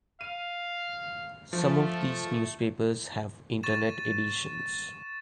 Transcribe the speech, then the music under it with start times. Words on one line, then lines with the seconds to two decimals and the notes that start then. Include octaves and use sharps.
Some of these newspapers have Internet editions.
0.21 F5 D#7
1.53 F3 A3
3.63 C#6 A6 E7